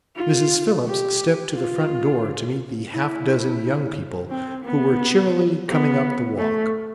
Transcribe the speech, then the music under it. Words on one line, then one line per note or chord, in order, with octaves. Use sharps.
Mrs. Phillips stepped to the front door to meet the half dozen young people who were cheerily coming up the walk.
F4
G4
F4
E4
C4
B3
B3
A3